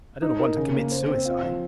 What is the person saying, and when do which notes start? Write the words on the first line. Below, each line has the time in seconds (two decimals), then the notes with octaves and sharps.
"I do not want to commit suicide."
0.22 D#4
0.40 A#4
0.57 C#3
0.74 A#3
0.91 C5
1.09 C4
1.25 F4
1.43 F3